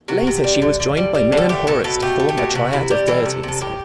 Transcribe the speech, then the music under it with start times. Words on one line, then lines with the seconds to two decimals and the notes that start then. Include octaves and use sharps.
Later she was joined by Min and Horus to form a triad of deities.
0.08 C3 F#4
0.27 C3
0.44 G3
0.62 D3
0.80 D3
0.97 G3
1.15 G3
1.32 D3
1.37 A4
1.49 A3 G4
1.67 B2 A4
1.84 B2 A4
2.02 A3 G4
2.20 A3
2.29 G4
2.37 B2
2.55 C3 F#4
2.73 C3 E4
2.91 G3 G4
3.07 E3 A4
3.25 C3
3.43 C3 A4
3.61 A2 G4